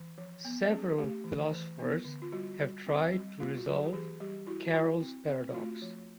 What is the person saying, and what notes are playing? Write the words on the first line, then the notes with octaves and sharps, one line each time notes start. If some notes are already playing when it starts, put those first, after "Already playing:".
Several philosophers have tried to resolve Carroll's paradox.
Already playing: E3
F3
B3
C#4 G#4
A3 G4
E3
E3
B3
D3
F4
G3 F#4
G3
C4
G3
A#3 F4
F#4
F#3
G#4
G4
E3 G#4
G3 G4
E4 F#4
E4
C4
C4
F#4
A3 F4
F3